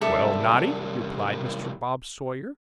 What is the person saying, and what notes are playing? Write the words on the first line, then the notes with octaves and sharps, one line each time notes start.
'Well, Noddy,' replied Mr. Bob Sawyer.
C2 F#2 A4 D5 E5